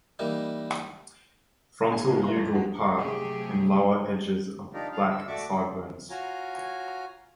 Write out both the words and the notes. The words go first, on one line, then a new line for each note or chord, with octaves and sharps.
Fronto-jugal part and lower edges of black sideburns.
E3 G3 A#3 D#4
A2 D3 G#4 G#5
E3 G#3 A3 C4 D#4 F4
B4 E5 F5 A#5 C6 C#6
F2 A3
F#3 G#3 A3 B3 F#4
C3 F#3 A3 G4 G#4
D4 D#4 F4 G4 A#4
D4 F5
E6
A3 F#4 D5 E5 C#6 D6
F4 F#4 C#5 G#5 A#5